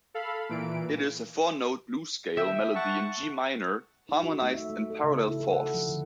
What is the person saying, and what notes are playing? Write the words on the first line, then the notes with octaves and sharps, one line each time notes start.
It is a four-note blues scale melody in G minor, harmonised in parallel fourths.
A4 F5 B5
A#2 E3 D7
E5 G5
F#5 A5 C#6
D#4
F#4
A3
E5
A3
A4
C#3
E4
A4
F#5
F3
D3